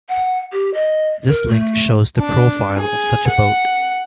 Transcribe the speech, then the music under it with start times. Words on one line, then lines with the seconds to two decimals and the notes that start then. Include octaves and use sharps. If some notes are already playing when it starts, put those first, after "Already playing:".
This link shows the profile of such a boat.
0.09 F#5
0.52 G4
0.74 D#5
1.29 A#4
1.48 A3
2.18 D4
2.79 G#4
3.27 F#5